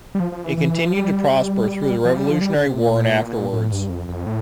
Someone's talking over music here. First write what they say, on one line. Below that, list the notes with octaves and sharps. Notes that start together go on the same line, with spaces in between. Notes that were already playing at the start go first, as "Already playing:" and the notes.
It continued to prosper through the Revolutionary War and afterwards.
G3
F3
F3
E3
E3
F3
G3
F3
G3
F3
G3
D3
C3
A#2
A2
G2
F2
F2
A2